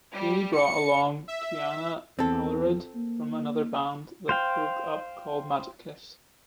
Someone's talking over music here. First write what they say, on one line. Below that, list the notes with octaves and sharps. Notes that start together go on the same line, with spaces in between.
Jamie brought along Kianna Alarid from another band that broke up called Magic Kiss.
G3
C#7
E5
E2 C4 A4
A#3
C5 F5 G5